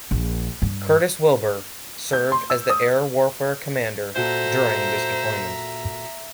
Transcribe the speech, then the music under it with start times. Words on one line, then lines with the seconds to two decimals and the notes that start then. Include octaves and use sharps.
"Curtis Wilbur" served as the Air Warfare Commander during this deployment.
0.11 A#1
0.62 G2
2.13 G6
2.32 C6
2.50 E6
2.70 D#6
4.16 A#2 F#4 A4 C5 E5 A#5